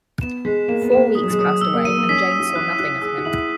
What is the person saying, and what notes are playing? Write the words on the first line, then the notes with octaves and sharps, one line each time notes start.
Four weeks passed away, and Jane saw nothing of him.
B3 E7
G#3 B6
A#3 E7
B3
A#3 E7
G#3 D#6
F#3
G#3
F#3 D#6
G#3 E6
A#3
F#3 D#7
A#3
C#4 B6
E6
F#4
E4
F#4 F#6
E4
F#4 F#6
G#4 E6
F#4
E4 F#7